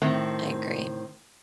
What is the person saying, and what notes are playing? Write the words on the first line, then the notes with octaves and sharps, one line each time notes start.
I agree.
A2 D#3 C4